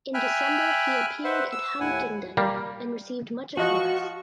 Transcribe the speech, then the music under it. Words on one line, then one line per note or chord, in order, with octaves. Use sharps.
In December he appeared at Huntingdon and received much applause.
E5 G5 G#5 B5 F6 F#6
B4 C5 E5 F#5
E6
D#2 A2 E4 F#5 G#5
G3 A#3
F3 F#4 D#5 C#6 F#6